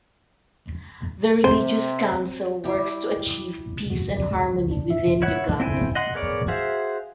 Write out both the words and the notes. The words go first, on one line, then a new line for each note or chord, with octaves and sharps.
The religious council works to achieve peace and harmony within Uganda.
C3 C4 C5
G3 E4 G4
F#4
D5
G#3
A1
C#2
D4
E5
E4 C#5 F#5
C4 E4 G5 G#5
D#5 F#5 C6
B3 G#4 A#4 C#5 D5
F#4 G#4 C5 E5 F5